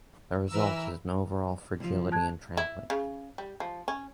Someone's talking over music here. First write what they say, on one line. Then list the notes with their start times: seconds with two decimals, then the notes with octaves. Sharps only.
The result is a an overall fragility in trampling.
0.51 E3 A#4 B4 E6
1.80 C2 F3
2.12 A5 F#6 G#6
2.57 E4
2.90 C#3
3.38 G3
3.60 F3
3.88 C#4